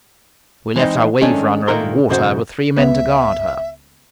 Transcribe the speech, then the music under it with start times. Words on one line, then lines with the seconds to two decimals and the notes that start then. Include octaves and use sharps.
We left our 'Waverunner' in the water with three men to guard her.
0.76 E3 G#3 A#3 C4 D#4
1.21 D#3 G#3 A3 C#4 D4
1.68 A#2 D#3 A3 A#3 A#4 C6
2.10 B1 F#2 C#3 F#4 C5
2.77 C#2 B3 B4 E5